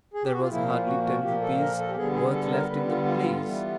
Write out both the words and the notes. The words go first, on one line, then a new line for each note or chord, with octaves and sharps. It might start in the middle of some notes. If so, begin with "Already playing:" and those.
There was hardly ten rupees' worth left in the place.
G#4
G4
F#4
F4
A#2 F3 A#3 E4
F4
F#4
F#4
A#2 F3 A#3 G4
A4
A#4
A4
G4
D3 G3 B3 G#4
G#4
A4
A4
A#4
D3 G3 B3 B4
F4
F4
F4
E3 G3 B3